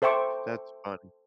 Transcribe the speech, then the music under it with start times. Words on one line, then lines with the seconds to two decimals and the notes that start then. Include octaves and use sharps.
That's fun,
0.02 A4 C5 E5 G5 C#6 D6